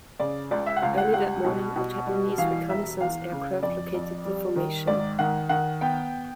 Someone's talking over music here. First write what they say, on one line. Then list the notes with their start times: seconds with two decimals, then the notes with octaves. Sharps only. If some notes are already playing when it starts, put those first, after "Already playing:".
Early that morning, a Japanese reconnaissance aircraft located the formation.
0.19 C#3 D5
0.51 C#2 D5
0.66 E5
0.76 F#5
0.82 C#2 F5
0.98 F#5
1.14 G3 F#5
1.45 B2
1.76 B2
2.07 G3
2.38 E3 F5
2.70 E1 E5
3.00 E2 F5
3.32 C#3
3.63 F2 D5
3.94 F2
4.25 G3
4.56 D#3
4.87 G#2 D5
5.19 D#3 F#5
5.49 D#3 F#5
5.81 B3 G5